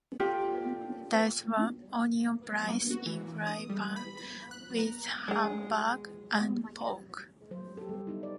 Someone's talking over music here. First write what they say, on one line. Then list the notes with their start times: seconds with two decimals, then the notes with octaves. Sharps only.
Dice one onion -place in fry pan with Hamburg and pork.
0.20 F4 G4 A4 D5
2.91 F#4
3.06 E3
3.47 D#6
3.70 G3
3.96 B5
4.17 B5
4.51 F#6
4.79 A#5
5.28 G#3 G#4
7.51 F#3 C5
7.77 G4 A4
7.89 G3
8.07 B3 D#4 E4
8.23 D5